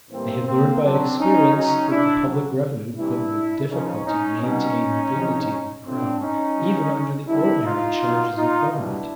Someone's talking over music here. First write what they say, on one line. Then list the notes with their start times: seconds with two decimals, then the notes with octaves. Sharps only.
They had learned by experience, that the public revenue could with difficulty maintain the dignity of the crown, even under the ordinary charges of government.
0.10 A2 E3 G3 A#3 C4
0.46 A#3 C4
0.82 B2 F#3 C4 D4
1.18 C#4 D#4
1.54 C#3 F#3 C#4 D#4
1.90 D4 E4
2.26 C#3 F#3
2.97 C3 E3 G3 D4 E4
3.69 C#3 F3 C#4 D#4
4.05 C#4 D#4
4.40 B2 G3 C#4 D#4
5.13 C3 F3
5.84 A2 F3 C4 D4
6.20 C#4 D#4
6.56 C#3 F#3
7.27 C3 D#3 G3 D4 E4
7.64 D#4 F4
8.00 B2 F#3
8.35 D#4 F4
8.71 B2 G3 D4 E4